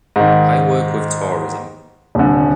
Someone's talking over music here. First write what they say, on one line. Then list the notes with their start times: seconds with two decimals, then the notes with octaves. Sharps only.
I work with tourism.
0.16 G#2 D#3
2.15 D#1 C2 D3